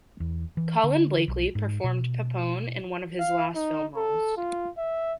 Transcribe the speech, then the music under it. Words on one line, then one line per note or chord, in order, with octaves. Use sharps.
Colin Blakely performed Peppone in one of his last film roles.
E2
E3
D3
B1
G#2
B2
F5
D#4
A4
F4
E5